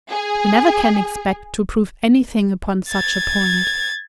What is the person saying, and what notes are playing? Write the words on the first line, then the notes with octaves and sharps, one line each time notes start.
We never can expect to prove any thing upon such a point.
G#4
G#6 A6